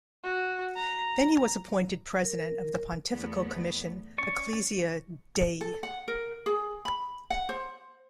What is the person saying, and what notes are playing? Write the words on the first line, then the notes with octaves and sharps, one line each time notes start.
Then he was appointed President of the Pontifical Commission "Ecclesia Dei".
F#4
A#5
A#4
E2 A3 B3
C#4 D5 C#6
A4
F#5
A#4
G#4
B5
F#5
C5